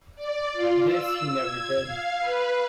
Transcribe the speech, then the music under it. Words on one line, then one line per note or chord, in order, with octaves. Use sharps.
This he never did.
D5
F4
E6
G#6
F5
B4